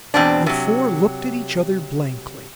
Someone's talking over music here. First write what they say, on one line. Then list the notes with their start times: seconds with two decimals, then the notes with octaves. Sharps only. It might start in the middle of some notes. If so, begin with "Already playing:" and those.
The four looked at each other blankly.
0.14 E2 B2 C4 D4
0.46 C3 F#3